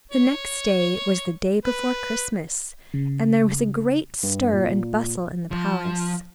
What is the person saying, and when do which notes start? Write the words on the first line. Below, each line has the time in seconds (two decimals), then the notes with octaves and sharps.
The next day was the day before Christmas and there was a great stir and bustle in the palace.
0.11 C#5
1.65 B4
2.94 C#3
4.23 G2
4.53 A#2
5.51 F3